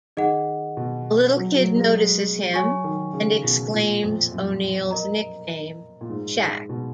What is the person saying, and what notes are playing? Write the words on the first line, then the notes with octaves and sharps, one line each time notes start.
A little kid notices him, and exclaims O'Neal's nickname, "Shaq".
D#3 D#4 G#4 D#5 F#5
B2
F#3
F#3
G#3
G#3
F#3 C#5 G#5 C#6
D#3
C#3
B2
A#2
F2
F#2
A#4 D#5 A#5
A#2
G#2
B2